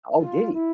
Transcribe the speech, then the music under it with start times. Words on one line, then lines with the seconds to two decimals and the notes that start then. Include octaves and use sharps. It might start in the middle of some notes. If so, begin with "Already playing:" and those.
Oh, did he?
0.18 F4
0.53 E4